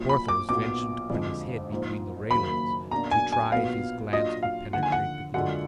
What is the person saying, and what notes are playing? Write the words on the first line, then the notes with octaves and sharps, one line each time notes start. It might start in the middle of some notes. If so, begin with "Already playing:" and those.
Porthos ventured to put his head between the railings, to try if his glance could penetrate the gloom.
Already playing: A#1 A#2 F#3
B5
D6
B1 A#2 F#3 B3 D6
F2 D3 F3 G#3
A#1 G#2 F3
F#1 F#2 D#3 F#3 A#3 B5
B2 F#3 A#3 D4 F#4 A#5
G#5
G#5
B1 A#2 F#3 B3 F5
A#2 F#3 D4 F4 D#5
F5
D#2 D3 F3 F#5
G#5
F#5
F#2 D3 G#3 D4 F4 F#5